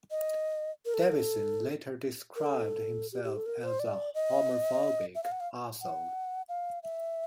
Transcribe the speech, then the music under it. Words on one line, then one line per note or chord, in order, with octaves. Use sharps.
Davidson later described himself as a "homophobic arsehole".
D#5
A#4
A4
A#4
A4
A#4
A4
G4
G4
A4
A#4
C5
D5
D#5
E5
F5
F#5
F5
F#5
F5
E5